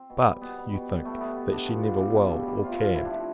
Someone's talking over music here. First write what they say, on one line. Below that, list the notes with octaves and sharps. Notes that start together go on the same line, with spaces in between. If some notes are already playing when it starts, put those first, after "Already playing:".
But, you think, that she never will, or can.
Already playing: C4
B2
G3
B2 B3
G3
B2
G3
B2 A3
G3 A3 B3
B2
G3 D4
B2 F4
G3
B2 G4
G3
B2
G3
C3 F4
F3 F4
C3 E4
D4
F3
C4